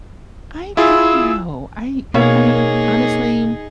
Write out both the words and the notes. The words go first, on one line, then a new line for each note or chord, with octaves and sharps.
I don't know. I I mean, honestly,
E4 F4 G#4 E6
B2 A#3 D#4 G#4 C#5